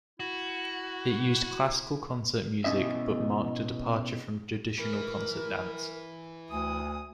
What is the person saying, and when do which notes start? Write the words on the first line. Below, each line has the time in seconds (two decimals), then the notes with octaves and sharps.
It used classical concert music but marked a departure from traditional concert dance.
0.20 E4 F#4
2.64 B2 B3 C#4 E4 D#5 E5
4.78 E3 A#4
6.51 D2 G#5 D#6